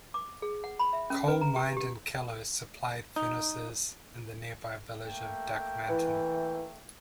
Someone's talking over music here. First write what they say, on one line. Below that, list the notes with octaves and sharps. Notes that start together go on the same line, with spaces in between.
Coal mined in Calow supplied furnaces in the nearby village of Duckmanton.
D6
G#4
F#5
B5
E5
C#4
B4
A#5
G4
G4
D#4
A3 A#3 G5
E3